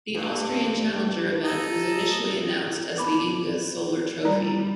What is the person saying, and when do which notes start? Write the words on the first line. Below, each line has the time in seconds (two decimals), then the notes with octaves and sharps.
The Austrian Challenger event was initially announced as the Inge Solar Trophy.
0.15 G2
1.45 A4 D#5 A#5
2.98 B3 B5 D6
4.23 G3 D5 A#5